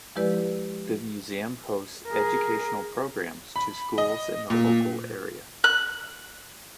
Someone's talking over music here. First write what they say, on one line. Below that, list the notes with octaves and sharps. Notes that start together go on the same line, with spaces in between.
The museum hosts educational programs to schools in the local area.
F3 G#3 E4 G4 B4 D5
G#4 A#4
B5
D#5
A#2
F#6